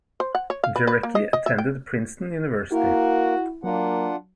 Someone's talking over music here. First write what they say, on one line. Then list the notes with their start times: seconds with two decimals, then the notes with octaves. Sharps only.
Jarecki attended Princeton University.
0.20 C5
0.35 F#5
0.50 C#5
0.64 F5
0.76 B4
0.87 B4
1.03 A#3
1.15 D#5
1.33 D#5
1.46 E5
1.58 G5
2.72 A#3 E4 F#4 A#4
3.64 F#3 A#3 D4 F4 F#5